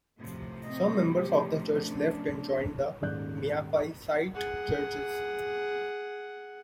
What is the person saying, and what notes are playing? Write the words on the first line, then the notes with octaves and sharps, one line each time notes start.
Some members of the church left and joined the Miaphysite Churches.
A2 C3 F3
C4 D#5
G4
C#4 D4
D#1 G#2 C#3 D5 F#6 G6
G#4 F#5